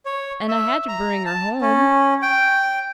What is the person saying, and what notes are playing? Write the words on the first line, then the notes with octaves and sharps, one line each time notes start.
And I had to bring her home.
C#5
E5
A#5
A5
C#4
G5